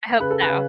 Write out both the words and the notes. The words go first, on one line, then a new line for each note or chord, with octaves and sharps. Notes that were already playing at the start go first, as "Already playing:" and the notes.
I hope so.
C#3 B4
A4
B4
C#3